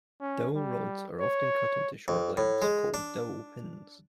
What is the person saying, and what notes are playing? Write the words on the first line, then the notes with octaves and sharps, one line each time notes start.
Dowel rods are often cut into short lengths called "dowel pins".
C#4
G3
C#5
F2
A2
G#3
D4